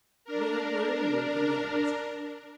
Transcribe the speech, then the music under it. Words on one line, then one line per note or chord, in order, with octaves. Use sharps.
"Where were you?" he asked.
D4 A#4